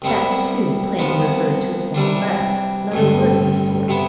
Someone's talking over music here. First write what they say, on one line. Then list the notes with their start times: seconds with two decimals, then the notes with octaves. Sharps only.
That, too, plainly refers to a former letter--not a word of the sort.
0.02 C2 C3 G3 B3 E4
0.99 C2 C3 F3 B3
1.95 C3 E3 G3 D4
2.92 A1 G2 D3
3.88 C3 E3 B3 E4